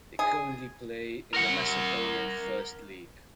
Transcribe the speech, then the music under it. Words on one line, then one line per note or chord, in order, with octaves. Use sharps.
They currently play in the Macedonian First League.
G#4
A#4 F#5